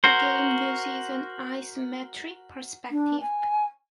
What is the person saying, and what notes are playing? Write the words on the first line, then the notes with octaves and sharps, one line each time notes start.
The game uses an isometric perspective.
F#4 A#4 C5
D4
G#5